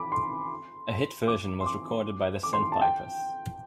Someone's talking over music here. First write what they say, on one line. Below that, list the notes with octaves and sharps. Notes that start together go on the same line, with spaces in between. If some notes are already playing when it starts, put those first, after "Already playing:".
A hit version was recorded by The Sandpipers.
Already playing: B5 D6
C6
D6
C6
D6
D6
C6
A5
G5